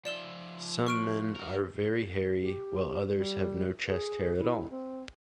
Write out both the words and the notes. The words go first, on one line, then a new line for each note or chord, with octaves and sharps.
Some men are very hairy, while others have no chest hair at all.
F3 D5 E5 E7 G7
C#6 F6 D7
F#4 A#4
G4
G3
G#4
E4
C4